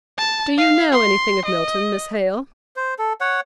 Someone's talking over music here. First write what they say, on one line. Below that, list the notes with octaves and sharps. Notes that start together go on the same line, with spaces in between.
'Do you know anything of Milton, Miss Hale?
A5
F5
C6
D#5
C5
A4
C#5 F#5